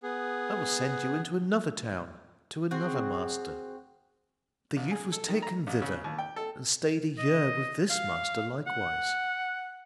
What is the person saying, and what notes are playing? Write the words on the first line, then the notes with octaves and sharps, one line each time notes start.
I will send you into another town, to another master.' The youth was taken thither, and stayed a year with this master likewise.
B3 G#4
C4 F#4 G#4
A1
G#4
A4
D#3
A#5
A1
C#3
D#2
G5
A4
D#5
F5
F#5